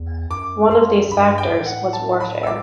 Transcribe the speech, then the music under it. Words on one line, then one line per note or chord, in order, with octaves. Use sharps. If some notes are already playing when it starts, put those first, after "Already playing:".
One of these factors was warfare.
Already playing: E2
F#2 D6
F#2 C6
G2 B5
G5
A2
F#5
A5
B5
E6
D6